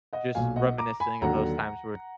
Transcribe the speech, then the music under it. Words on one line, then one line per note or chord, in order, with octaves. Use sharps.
just reminiscing of those times were
D#5 F#5
B1 A#2 F#3 F5 G#5
D#5 F#5
A#5 D6
G#5 B5
D#2 D3 F#3 F#5 A#5